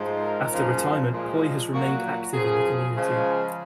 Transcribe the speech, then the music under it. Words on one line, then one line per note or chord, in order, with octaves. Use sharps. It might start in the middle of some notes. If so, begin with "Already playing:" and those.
After retirement, Poy has remained active in the community.
Already playing: G#2 F3 G#3
A#4
F#2 C#3 F3 A#3
A#2 F3 G#3
A#2 F#3 A#3 F#4
F#2 C#3 F3 G#4
C#3 F3 G#3